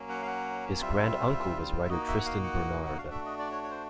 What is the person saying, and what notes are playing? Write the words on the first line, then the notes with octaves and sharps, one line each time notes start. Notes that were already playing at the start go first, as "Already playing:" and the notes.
His grand-uncle was writer Tristan Bernard.
Already playing: F#3 A#3 C#4
F#5
F5
F#5
G3 C4 F4 E5
E5
A#3 D#4 F#4 D#5
E5
F#5
F5
F#5
F#5
A3 D4 F#4 F5
E5
D#5
D5
C#5
C#5
C5